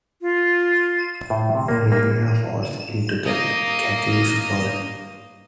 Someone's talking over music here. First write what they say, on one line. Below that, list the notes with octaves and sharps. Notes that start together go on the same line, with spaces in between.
The area falls into the Cathays ward.
F4
A2
C3
A#3
A#3
A#3 D#5